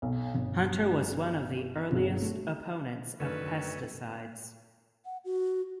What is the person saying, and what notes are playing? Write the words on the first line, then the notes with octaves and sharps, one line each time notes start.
Hunter was one of the earliest opponents of pesticides.
B1
G1
G1 G#4 C#5
A3
F#2 D3 D#3 A3 C#4 B4
F#5
F#4